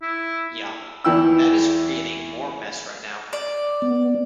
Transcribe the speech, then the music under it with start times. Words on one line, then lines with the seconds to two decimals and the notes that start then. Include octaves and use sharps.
Ya. That is creating more mess right now.
0.02 E4
1.04 E2 E3 E4 G5 E6
3.33 D5
3.82 B3